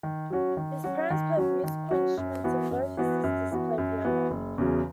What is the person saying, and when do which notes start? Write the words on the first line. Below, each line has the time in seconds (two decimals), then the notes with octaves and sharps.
His parents played musical instruments and both his sisters played piano.
0.03 D#3
0.30 F#3 C#4 F#4
0.57 D#3
0.84 F#3 C#4 F#4
1.10 D#3
1.37 F#3 C#4 F#4
1.64 D#3
1.90 F#3 C#4 F#4
2.17 F#2
2.44 E3 B3 F#4
2.71 F#2
2.97 E3 B3 F#4
3.24 F#2
3.51 E3 B3 F#4
3.78 F#2
4.05 E3 B3 F#4
4.31 F#1
4.58 E2 C#3 F#3